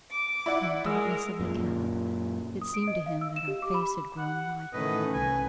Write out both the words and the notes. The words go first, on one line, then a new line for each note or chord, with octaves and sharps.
In the darkness of the cab it seemed to him that her face had grown whiter.
D6
E4 D5 F#5
G#3 A#4 D#6 E6
F#2 A#2
D#6
D7
D#5
F5
E6
E7
G4
D6
B5
F#5
A2 D#3 E3 A3 C#4 B4 D#5
C2 B4 G#5